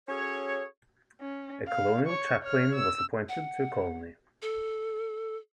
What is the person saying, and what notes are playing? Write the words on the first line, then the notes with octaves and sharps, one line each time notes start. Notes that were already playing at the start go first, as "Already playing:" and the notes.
A colonial chaplain was appointed to a colony.
C#4 F#4 G#4 A4 C#5
C#4
F5
C#5 C#6
C#5 F6
E6
F#5
A4